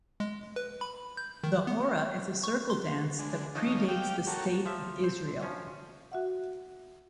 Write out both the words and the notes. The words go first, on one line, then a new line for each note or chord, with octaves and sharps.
The Horah is a circle dance that predates the State of Israel.
G#3
B4
B5
G6
D#3
B3
C#6
C6
D3 G#3
D#3 F3 C#4 D#4
G4 F5 G5 D6
F#4 G4 A4 A#4 C#5
F3 E5
C5
F3 C#4
F#4 E5 F#5